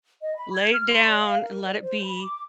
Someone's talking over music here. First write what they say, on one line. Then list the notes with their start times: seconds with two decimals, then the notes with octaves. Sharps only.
lay it down and let it be,
0.22 D#5
0.36 B5
0.54 G#6
0.72 F6
0.91 C6
1.07 D5
1.20 F5
1.40 A#4
1.66 D5
1.82 C5
2.04 B5
2.21 D6